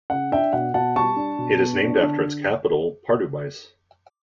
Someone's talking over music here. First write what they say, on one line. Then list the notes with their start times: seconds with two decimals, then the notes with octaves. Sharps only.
It is named after its capital Pardubice.
0.10 C#3 F#5
0.32 D4 E5 G5
0.53 B2 F#5
0.74 B2 F#5 A5
0.96 G3 A5 C#6
1.16 D4
1.38 B2
1.59 B3
1.81 D4
2.03 D3